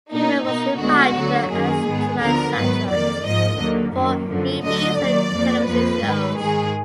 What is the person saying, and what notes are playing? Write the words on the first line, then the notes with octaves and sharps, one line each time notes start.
Hubert was invited and asked to write soundtracks for movies and television shows.
B2 A#3 D#4
B2 A#3 D#4
D2 D3 G#3 B3 F#4
D2 D3 F#3
F#2 D#3 A#3 G#4
G#2 D#3 G#3 B3
D2 D3 F3 B3 A#4
G#2 D#3 F#3 B3 B4
F2 D#3 A#3 D5
G#2 F3 A#3 D#5
D#2 D3 F#3 A#3
F#2 D#3 F#3 A#3
F#2 D3 F3
D2 D3 F#3 D#5
D#2 D#3 F#3 D5
F2 F3 A#3
F2 F3 A#3 B4
G#2 D#3 G#3
G#2 D#3 G#3 G#4